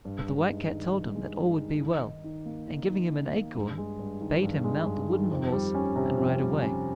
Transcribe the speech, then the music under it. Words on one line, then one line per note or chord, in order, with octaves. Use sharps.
But the White Cat told him that all would be well, and giving him an acorn, bade him mount the wooden horse and ride away.
G2
G#3
D#4
D#3
G2
G#3
D#4
D#3
D#3
D#4
D#3
A#3
D#3
D#4
D#3
A#3
G2
G#3
G2
D#3
G2
G#3
G2
D#3
F2
G3
C#4
C3
F2
G3
C#4